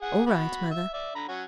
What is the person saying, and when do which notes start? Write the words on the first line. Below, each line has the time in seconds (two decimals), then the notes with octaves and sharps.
'All right, Mother.
0.02 G#4 F#5
0.26 F#4 B5
0.71 E5
0.93 D5 E5
1.15 D3 A#5 B5
1.28 F#3 C#4 F#4